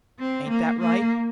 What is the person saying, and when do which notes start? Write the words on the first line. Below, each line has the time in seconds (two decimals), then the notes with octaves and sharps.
Ain't that right?
0.19 C4
0.49 A#3
0.80 A#3